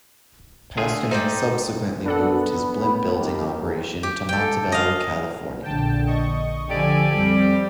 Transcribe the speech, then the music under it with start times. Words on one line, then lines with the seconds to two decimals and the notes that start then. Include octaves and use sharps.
Pasternak subsequently moved his blimp building operation to Montebello, California.
0.78 D3 A3 F4 G#4
1.11 D#4 C5 D5 G5
2.06 B3 D4 A4 F#5 B5
3.16 D#2 G4
4.03 G4
4.29 A4 G5
4.72 D#5 F5
5.63 A#1 D3 G5 A5
6.07 D#5 C#6
6.70 D3 F3 G4 A4 D5 G#5
7.15 F2 G3 C4